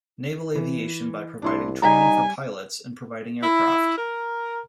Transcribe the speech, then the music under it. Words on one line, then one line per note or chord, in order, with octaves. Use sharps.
Naval Aviation by providing training for pilots and providing aircraft.
E3
C2 D4 E4 C6
G3 D#4 G#5 A#5 B6
E4
A#4